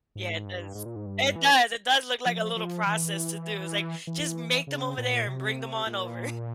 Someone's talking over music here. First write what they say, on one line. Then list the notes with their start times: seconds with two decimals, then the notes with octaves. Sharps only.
Yeah, it does it does it does look like a little process to do. It's, like, "Just make them over there and bring them on over."
0.16 G#2
0.46 G2
0.75 G#2
0.85 A#2
0.96 G#2
1.06 G2
1.36 E3
2.26 F3
2.56 F3
2.87 E3
4.07 E3
4.67 C#3
4.98 A#2
5.28 C3
5.87 A#2